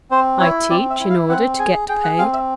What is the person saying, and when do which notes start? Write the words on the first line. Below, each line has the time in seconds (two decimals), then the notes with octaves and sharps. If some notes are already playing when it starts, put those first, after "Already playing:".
'I teach in order to get paid.'
0.11 C4 C5
0.40 E4 C#5
0.70 C4 D5
0.90 E5
1.00 E4
1.10 F5
1.29 C4 F#5
1.59 G#4 G#5
1.89 G#4 G5
2.03 F#5
2.18 C4 F5
2.33 E5